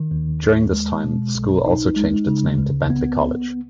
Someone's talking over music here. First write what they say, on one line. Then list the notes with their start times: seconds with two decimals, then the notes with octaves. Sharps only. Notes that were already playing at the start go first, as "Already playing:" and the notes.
During this time, the school also changed its name to Bentley College.
Already playing: D#3
0.11 D#2
0.42 D#2
0.73 G#3
1.04 B2
1.35 B1
1.66 D#4
1.96 G#3
2.27 C#3
2.58 C#2
2.90 B3